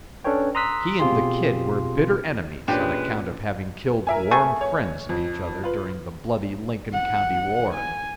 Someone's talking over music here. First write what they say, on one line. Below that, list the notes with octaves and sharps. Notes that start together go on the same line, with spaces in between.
He and the "Kid" were bitter enemies on account of having killed warm friends of each other during the bloody Lincoln County war.
C#4 D4 A4 B4 C#5 G5
A#5 C6 D#6 E6 F#6 B6
B2 C4 F4 G4 G#4 C6
A#2 G#3 C#4 D4 G4 B4 G5
A#4 E5 G#5
A3 G#4 C#6
C#5
F2
F4 B4
F#5
G#5